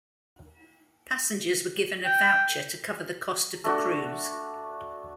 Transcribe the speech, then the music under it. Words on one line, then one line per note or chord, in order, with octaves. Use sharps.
Passengers were given a voucher to cover the cost of the cruise.
G5
A3 D4 F#4